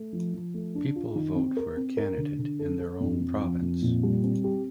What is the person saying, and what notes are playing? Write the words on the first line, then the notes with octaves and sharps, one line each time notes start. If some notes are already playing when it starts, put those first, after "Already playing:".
People vote for a candidate in their own province.
Already playing: A3
F3
F3
A3
D4
F4
D#3
C4
A#4
C4
A#4
D3
D3
A4
A4
F2
F2
F3
F2
A#2
G3
C4
G4